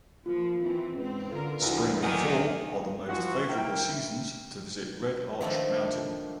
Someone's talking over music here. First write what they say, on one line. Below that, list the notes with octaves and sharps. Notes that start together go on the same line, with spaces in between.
Spring and fall are the most favorable seasons to visit Red Arch Mountain.
F3 A#3 F4 A#4
E3 C4
G#2 C4 C#4 B4
D3 F4 A4 A#4
D2 C#3 F3 E4 B4
D2 A2 D#3 F#3 B3 G#5
E3 F3 F#4
A#3 E4 G5
D#3 F3 A3 D4